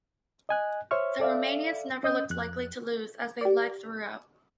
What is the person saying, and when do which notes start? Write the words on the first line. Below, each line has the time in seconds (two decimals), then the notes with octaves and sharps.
The Romanians never looked likely to lose as they led throughout.
0.49 D#5 G#5 F#6
0.91 C5 C#5 E5 C#6 F6
1.20 A4 D5 E5 F5
2.03 C#4 D#5 D#6 G6
2.30 F2 F#6
3.41 G4 D5